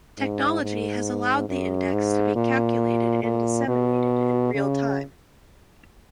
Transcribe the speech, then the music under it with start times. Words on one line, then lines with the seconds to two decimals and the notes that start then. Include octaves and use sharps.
Technology has allowed the index to be calculated and disseminated in real time.
0.18 G#2
0.62 G#2
1.49 F#2
1.92 G#2
2.36 A#2
3.23 A#2
3.68 B2
4.54 C#3